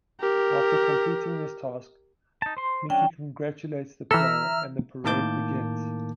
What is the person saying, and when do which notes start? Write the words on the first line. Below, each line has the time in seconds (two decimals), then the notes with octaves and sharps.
After completing this task, Mickey congratulates the player and the parade begins.
0.20 G4 A#4
2.42 D#4 A5
2.57 C5 C6
2.90 F#3 C#4 D4 G5
4.11 E3 A4 E5 A#5 E6 F6
5.04 A2 D#3 A#3 A5 D6 G6